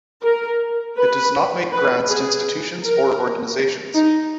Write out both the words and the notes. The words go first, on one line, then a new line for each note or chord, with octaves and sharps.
It does not make grants to institutions or organizations.
A#4
B4
B4
G#4
A#4
D#4